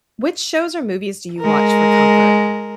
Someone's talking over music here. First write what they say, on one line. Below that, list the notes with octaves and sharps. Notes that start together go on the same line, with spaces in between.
Which shows or movies do you watch for comfort?
G#3 A#4